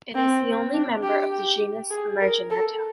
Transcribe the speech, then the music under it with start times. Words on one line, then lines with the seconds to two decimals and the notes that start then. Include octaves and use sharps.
It is the only member of the genus Merganetta.
0.15 C4
0.73 D4
1.03 G4
1.32 G4
1.90 G#4
2.21 A#4
2.51 A4